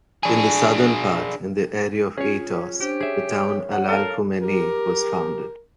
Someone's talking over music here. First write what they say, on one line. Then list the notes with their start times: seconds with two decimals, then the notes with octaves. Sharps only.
In the southern part, in the area of Aetos, the town Alalcomenae was founded.
0.23 D4 G#4
2.18 C#4 F4 G#4 C#5
2.81 D4 G4 C5
3.01 G#4 C#5 E5
3.72 F#5
3.89 A4 A#4 F5
4.40 G4 A#4